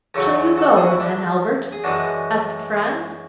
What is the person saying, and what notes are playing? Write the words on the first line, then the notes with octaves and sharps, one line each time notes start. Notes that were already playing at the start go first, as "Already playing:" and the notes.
"Shall you go, then, Albert?" asked Franz.
E2 C#3 F#3 A4 C#5
F#4 A4
A4
G#4
F#4
E4
D4
G#4
F#2 E3 G#3 D4 F#4